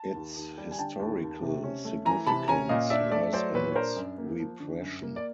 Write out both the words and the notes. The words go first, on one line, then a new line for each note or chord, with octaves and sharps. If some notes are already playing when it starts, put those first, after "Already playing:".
Its historical significance lies in its repression.
Already playing: A5
D#2
D#2
G3
G#5
D3 G5 A5
D#2
D#2
C3
C#4
A3
E3 G#5 A#5
C3 A5 B5
C#4 G#5 A#5
A#2 D#5 F5
D4 D5 E5
A3 D5 E5
F#3 C5 D5
A#2 B4 C#5
C#5
D4 A#4 C5
F#2
A#3
F3
D3
F#2
A#3
D5